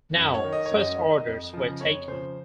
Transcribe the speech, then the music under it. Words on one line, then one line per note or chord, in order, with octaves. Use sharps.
Now, first orders were taken.
F#2
C#5
D#3
D#5
C#5
F#2
D#5
D#3
F2
C#3 F3
F2 C#5
C#3 F3 C5